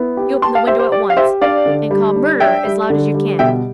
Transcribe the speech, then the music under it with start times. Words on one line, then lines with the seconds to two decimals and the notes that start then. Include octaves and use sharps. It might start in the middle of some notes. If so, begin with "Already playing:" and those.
You open the window at once and call "Murder!" as loud as you can.
Already playing: B3 E4
0.17 G4
0.42 G4 A5 C6
0.55 F5 A5
0.67 G4 C5 E5
0.79 C5
0.92 G4 D5
1.10 F5
1.17 G4 C5 E5
1.41 D4 D5 F5
1.66 D3
1.91 G3
2.16 D4
2.40 D4 E5 G5
2.65 G3
2.90 D3
3.15 G3
3.39 B2 E5 G5